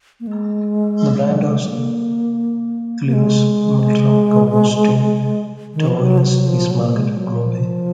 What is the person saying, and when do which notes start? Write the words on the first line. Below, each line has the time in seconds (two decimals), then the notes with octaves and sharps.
The brand of Clivus Multrum composting toilets is marketed globally.
0.20 A#3
0.27 G#3
1.63 G#3
1.70 A#3
3.05 A#3
3.13 G#3
5.74 D#3
5.88 F3
6.00 F#3
6.18 F3
6.23 F#3
6.46 F3
6.71 F#3
6.83 A#3
6.95 G#3
7.18 F#3
7.43 F3